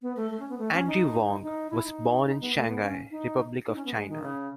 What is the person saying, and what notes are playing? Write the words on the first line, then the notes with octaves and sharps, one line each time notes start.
Andrew Wong was born in Shanghai, Republic of China.
B3
A3
A3
C#4
B3
A3
C#4
D#4
D#4
E4
D#4
D#4
B3
A3
B3
C#4
D#4
D#4
C#4
B3
G#3
D#3
C#3